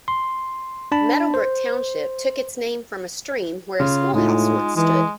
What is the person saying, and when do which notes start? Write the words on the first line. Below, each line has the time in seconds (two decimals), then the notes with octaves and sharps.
Meadow Brook Township took its name from a stream where a schoolhouse once stood.
0.08 C6
0.92 D4 A5 B5
1.34 C5
3.80 C#3 F4
4.14 A2 G#3 D#4 F4
4.76 E3 G#3